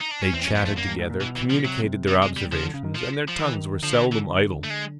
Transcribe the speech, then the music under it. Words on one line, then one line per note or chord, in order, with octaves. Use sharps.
They chatted together, communicated their observations, and their tongues were seldom idle.
D#4
D4
C#4
E2 C4
C#4
F2
B3
F2 A3
F#2 A#3
G2
G#2
A#2
B2 E3
E3
F3
C3 F#3
G3
G#3
G3
C#3 F3
D3
C#3
D#3
F3
F3
D#3 E3
D3 F3
E3
E3
A3
G#3